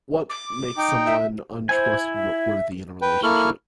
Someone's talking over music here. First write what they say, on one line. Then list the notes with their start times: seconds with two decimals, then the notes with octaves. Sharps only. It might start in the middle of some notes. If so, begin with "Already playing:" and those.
what makes someone untrustworthy in a relationship?
0.29 D6
0.77 D#4 G5
1.06 E5
1.69 E4 C5 G#5
2.14 E5
3.02 B4 G5
3.23 A#3 E4 A4 C#6 F6